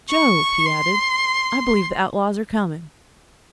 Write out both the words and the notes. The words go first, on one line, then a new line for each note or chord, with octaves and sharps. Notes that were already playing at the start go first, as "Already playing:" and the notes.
"Jove!" he added, "I believe the outlaws are coming."
C#6
C6